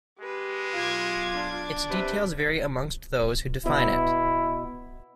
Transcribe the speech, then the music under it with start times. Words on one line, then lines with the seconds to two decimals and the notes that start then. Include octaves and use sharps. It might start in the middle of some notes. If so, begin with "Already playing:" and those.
Its details vary amongst those who define it.
0.20 G#3 G4 B4
0.73 B1 F4 D6 G#6
1.35 D4
1.90 C3 B4
3.66 B2 E4